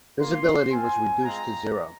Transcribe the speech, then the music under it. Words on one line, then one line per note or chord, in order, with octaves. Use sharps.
Visibility was reduced to zero.
A#3 F4 C6
C4 F4 G#5
G#3 C4 F4 A#5